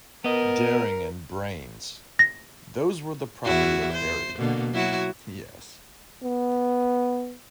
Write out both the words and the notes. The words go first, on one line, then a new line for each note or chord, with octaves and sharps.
Daring and brains, those were the property of Harry — yes.
B3 A#4 D#5
A#6
E2 E4 F#4
C5
B2 D3 A#3
F#3 E4 F#4
B3